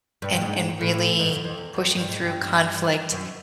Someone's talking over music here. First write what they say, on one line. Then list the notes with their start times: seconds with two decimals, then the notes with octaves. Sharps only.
and and really pushing through conflict
0.22 G2
0.33 G2
0.41 G#2
0.81 A2
1.19 G#2
1.31 F#2
1.44 F2
1.58 E2
1.76 F2
1.96 G2
2.08 G#2
2.22 G2
3.12 F#2